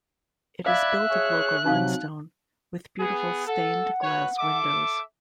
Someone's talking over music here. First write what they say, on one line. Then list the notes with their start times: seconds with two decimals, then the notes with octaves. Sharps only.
It is built of local limestone, with beautiful stained glass windows.
0.66 D5 E5 F5 B5 F#6 G#6
1.10 G#4 C#5
1.66 C3 F#3 D#4 F5
3.00 B3 G#4
3.48 A4 F#5
4.02 F#4 B4 C#5
4.39 A4 E5 D6